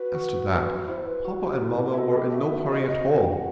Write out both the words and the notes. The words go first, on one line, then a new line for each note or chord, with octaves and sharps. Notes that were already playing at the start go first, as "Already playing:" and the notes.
As to that, Papa and Mamma were in no hurry at all.
Already playing: F#4 B4
F#4
E4 C5
B4
F#4
G4
E4 A4
G4
E5
A4 D#5
G4
D#5
F#4 E5
D#5
C5
D#5
F#5
G5
F#5